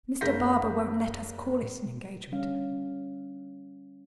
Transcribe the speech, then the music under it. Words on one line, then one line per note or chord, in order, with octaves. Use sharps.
Mr. Barbour won't let us call it an engagement.
F#1 A#3 D4 G6 A#6 B6
D3 G3 C#4 F5